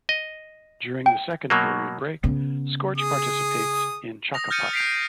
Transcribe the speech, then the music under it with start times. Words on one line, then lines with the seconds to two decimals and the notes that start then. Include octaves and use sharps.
During the second period break, scorch participates in chuck a puck.
0.09 D#5
1.06 G5
1.50 B2 F#3 A#3
2.24 C#3 B3
2.97 G#4 D#6
4.34 D#6 A#6 F7
4.51 F6 G6 A6 C#7 D#7
4.73 B6 C7 D7 F7